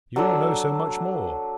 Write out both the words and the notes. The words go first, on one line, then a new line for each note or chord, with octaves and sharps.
You all know so much more.
F#3 D4 A4 E6